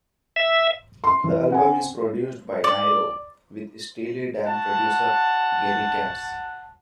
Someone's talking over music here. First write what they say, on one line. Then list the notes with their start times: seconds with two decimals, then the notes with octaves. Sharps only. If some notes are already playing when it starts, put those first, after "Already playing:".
The album is produced by Nyro with Steely Dan producer Gary Katz.
0.36 E5
1.04 C6
1.24 E3
1.50 C4 F#5 G#5
2.64 D5
4.45 F#4 F#5 A5